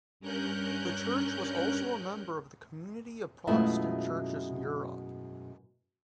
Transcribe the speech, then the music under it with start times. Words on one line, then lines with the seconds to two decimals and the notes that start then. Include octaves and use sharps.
The church was also a member of the Community of Protestant Churches in Europe.
0.20 G2 C#4 A#4 F#6 G6
3.47 F#2 B2 G#3 A3 E4 F4